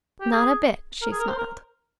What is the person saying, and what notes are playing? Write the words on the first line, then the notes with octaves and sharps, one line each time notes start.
"Not a bit," she smiled.
G4
G#4
A#4
G#4
A#4
C5
A#4